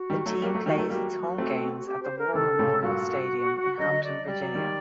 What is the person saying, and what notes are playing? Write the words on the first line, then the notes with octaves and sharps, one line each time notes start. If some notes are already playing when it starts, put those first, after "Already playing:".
The team plays its home games at the War Memorial Stadium in Hampton, Virginia.
Already playing: F#4
D#3 G3
F#3 A3
G3 A#3
F#3 A3
D#3 G3
F#3 A3
G3 A#3 F#4
A3 C4
G4
C5
A#4
C3 D#3 A4
A2 C3
G2 A#2 F#4
D3 F#3 D#5
D5
G3 D5
F#3
D#3 G3